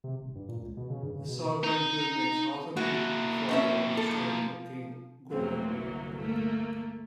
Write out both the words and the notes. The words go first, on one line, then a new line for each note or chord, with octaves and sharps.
The saga in turn makes Harthacnut the father of the historical king, Gorm.
C3
D#1
G2
A#2
C#2
B2
C#3
G2
C#3
B2
D#4 A#5
A#3 E4 F#4
C4 C#4 E5
A4
F3
F1 E3 F#3 A#3 C4
G1 C2
A3 A#3